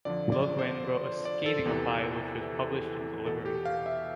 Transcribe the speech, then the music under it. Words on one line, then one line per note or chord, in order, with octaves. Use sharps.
Loguen wrote a scathing reply which was published in "The Liberator".
F2 D3 F3 D5
D5
C5
C5
C5
D5
A4
E2 C3 E3
E2 B2 A4
G4
F5
E5